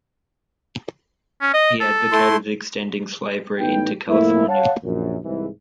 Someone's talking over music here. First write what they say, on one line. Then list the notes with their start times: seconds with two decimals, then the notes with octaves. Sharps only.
He advocated extending slavery into California.
1.41 C#4
1.54 D#5
1.80 A4
2.12 A3 E4 C6
3.60 A1 A3 B3 D#4 B4 G5
4.08 F2 A2 A3 A#3 E4
4.48 C#5 F5 F#5 A5
4.84 A#1 F#2
5.23 C2 G#2 E3